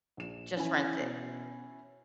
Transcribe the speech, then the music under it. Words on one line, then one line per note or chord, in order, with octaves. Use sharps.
Just rinse it.
A#1 E7
E3 C#4 E4 G#5
B2